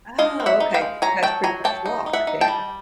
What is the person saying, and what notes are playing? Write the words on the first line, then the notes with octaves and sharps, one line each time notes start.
Oh, okay, 'cause you guys pretty much walk then.
G#3 D#5 F5
C4
E5 F#5
D#4
F5 G5
G#3
F#3 G#5 A#5
F#3 G5 A5
F#3 G#5 A#5
F#3 G5 A5
D#4
D#4
E5 F#5
D#4
G5 A5
G3